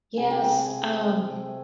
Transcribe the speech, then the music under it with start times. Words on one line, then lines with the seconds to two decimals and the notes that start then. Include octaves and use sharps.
Yes, um,
0.17 C3 G#4
0.31 G4
0.44 A3 G#4
0.73 C3
1.01 A3
1.29 C3